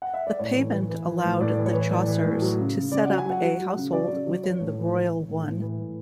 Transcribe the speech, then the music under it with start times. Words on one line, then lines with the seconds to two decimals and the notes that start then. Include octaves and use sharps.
This payment allowed the Chaucers to set up a household within the royal one.
0.02 F#5
0.14 E5
0.27 D5
0.39 A2 C#5
0.56 E3
0.73 E3
0.90 E3
1.06 E3
1.24 A2
1.40 A2 D5
1.58 E3
1.66 C#5
1.74 E3
1.91 A2 D5
2.08 E3
2.24 A2
2.42 F#3
2.58 C#3
2.75 C#3
2.92 C#3 D5
3.05 F#5
3.09 F#3
3.18 G#5
3.25 F#3 F#5
3.42 F#3
3.60 F#3
3.76 C#3
3.93 F#3 D5
4.10 C#3
4.27 F#3
4.44 E3 C#5
4.60 A2
4.78 E3
4.94 E3
5.10 E3
5.28 A2
5.45 A2
5.62 E3
5.79 A2